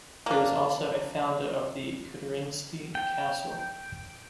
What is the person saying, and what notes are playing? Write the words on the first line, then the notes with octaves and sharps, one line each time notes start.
He was also a founder of the Kudryntsi Castle.
A#3 D4
G5